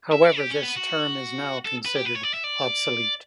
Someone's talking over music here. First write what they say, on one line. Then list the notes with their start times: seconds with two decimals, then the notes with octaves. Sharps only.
However this term is now considered obsolete.
0.12 E5
0.25 D5
0.38 G4
0.50 C#4
0.63 B3
0.75 F#4
1.65 A4
1.85 B4
1.96 G4
2.05 B4
2.15 C#5
2.23 D5
2.34 E5
2.44 D5